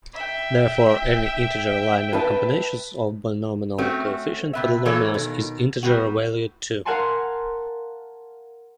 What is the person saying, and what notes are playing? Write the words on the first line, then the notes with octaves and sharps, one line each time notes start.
Therefore, any integer linear combination of binomial coefficient polynomials is integer-valued too.
E5 G5
B4 A5
A3 C4 C#4 F#4
C3 B3 E5
E3 A#3 A4 C#5
B2 D#3
G3 B3 F#4
A#4 F5 F#5 G#5 A5 C6